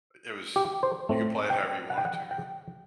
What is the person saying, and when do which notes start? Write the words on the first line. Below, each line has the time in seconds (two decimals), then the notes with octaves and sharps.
It was you could play it however you wanted to, really.
0.56 G4
0.83 C5
1.09 A2 A3 C4
1.50 G5
1.90 F#5
1.98 G5
2.05 F#5
2.31 G5